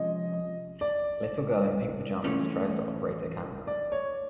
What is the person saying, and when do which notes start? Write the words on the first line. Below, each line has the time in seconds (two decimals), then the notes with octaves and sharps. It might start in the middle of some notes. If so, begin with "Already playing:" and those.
A little girl in pink pajamas tries to operate a camera.
Already playing: C3 F3 G#3 C#4 D#5
0.81 D5
2.24 A2 E3 A3 C#4 F4
3.67 D5
3.92 C#5